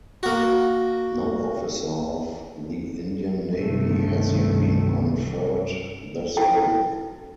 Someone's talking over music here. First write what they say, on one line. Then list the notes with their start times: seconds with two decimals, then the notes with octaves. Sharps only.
No officer of the Indian Navy has yet been conferred this rank.
0.23 A#3 F#4
3.59 C2 G2 C3 D#3 A3
6.37 D#4 E4 F#4 A4 G5 A5